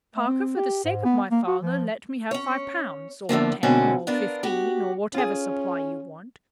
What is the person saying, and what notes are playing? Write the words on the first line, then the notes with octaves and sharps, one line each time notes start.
Parker, for the sake of my father, let me have five pounds,' or ten, or fifteen, or whatever supply you want.
A3
C4
G4
G#2
B3
A#3
F#4
F3
C#4 C#5
E2 D3 F3 A#3
B2 D3 G#3 A#3 C4 C#4
B3 D4 F4 A#4
F#4 G4
C#4 F4 G#4